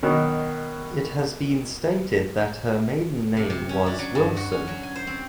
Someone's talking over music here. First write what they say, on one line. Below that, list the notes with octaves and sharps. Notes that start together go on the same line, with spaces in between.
It has been stated that her maiden name was Wilson.
B2 D#3 F#3
C3
C3
C#4
D4
F#3
G2
F#4
C#4
F#3
G#5
C5
C4